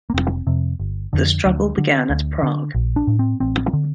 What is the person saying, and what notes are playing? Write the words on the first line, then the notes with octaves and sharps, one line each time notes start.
The struggle began at Prague.
A#3
F1 C4
F2 C3
G1
F2 D3
D2
D3
D2
D3
A#1
D4
A2
C4
A1 C4
D3